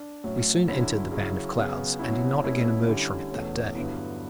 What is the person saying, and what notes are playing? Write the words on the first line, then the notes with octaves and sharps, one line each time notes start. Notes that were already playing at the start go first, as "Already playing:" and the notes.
We soon entered the band of clouds, and did not again emerge from it that day.
Already playing: D4
A2 F#3 C#4
D3 F#3 C#4 E4
C#3 F#3 C#4 E4
C#3 F#3 B3
B2 F#3 C#4 E4
B2 A3 C#4 E4
D3 G3 C#4 E4
E2 B2 A3 C#4
G2 D3 F#3 B3 E4